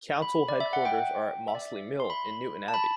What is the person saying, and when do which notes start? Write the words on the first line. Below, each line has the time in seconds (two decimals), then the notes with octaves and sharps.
Council headquarters are at Mossley Mill in Newtownabbey.
0.22 B5
0.49 D5
0.60 E5
0.73 F#5
0.85 G5
1.48 E5
1.55 D5
1.62 E5
2.00 C6
2.10 B5
2.68 A5
2.74 B5